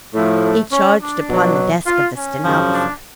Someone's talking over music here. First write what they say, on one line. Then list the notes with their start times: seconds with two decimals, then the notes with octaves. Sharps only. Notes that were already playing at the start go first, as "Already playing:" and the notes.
He charged upon the desk of the stenographer.
0.14 A2 F3 A3
0.43 A3
0.72 C#4
1.00 D4
1.29 B2 F#3
1.87 F4
2.16 C#4
2.45 F#2 C#3 F3
2.73 D4